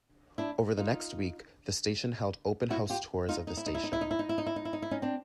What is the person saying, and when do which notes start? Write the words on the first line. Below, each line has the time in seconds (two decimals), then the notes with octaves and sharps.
Over the next week the station held open house tours of the station.
0.38 D4 E4
0.77 D#4 F4
2.70 E4 F#4
2.90 F4 G4
3.29 D#4 F4
3.47 D#4
3.57 E4
3.66 D#4
3.75 E4
3.84 D#4
3.93 E4
4.01 D#4
4.11 E4
4.19 D#4
4.29 E4
4.38 D#4
4.46 E4
4.56 D#4
4.65 E4
4.73 D#4
4.82 E4
4.91 C#4 D#4
5.02 C4 D4